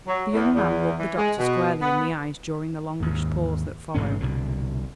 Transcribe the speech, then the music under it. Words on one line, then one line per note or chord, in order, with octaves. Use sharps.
The young man looked the doctor squarely in the eyes during the longish pause that followed.
F#3
E2
E2
E3
G#3
B2
B3
D#2 G#2
A1 G#2 C3 C#4
C2 B2 D3